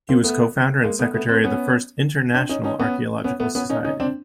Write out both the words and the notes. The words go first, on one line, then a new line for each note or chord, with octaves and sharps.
He was co-founder and secretary of the first international archaeological society.
A#3 C4
A3 B3
G#3 A#3
A3 B3
A3 B3
A#3 C4
B3 C#4
C4 D4
C#4 D#4
C#4 D#4
B3 C#4
B3 C#4
A3 B3
B3 C#4
C#4 D#4
C#4 D#4
C4 D4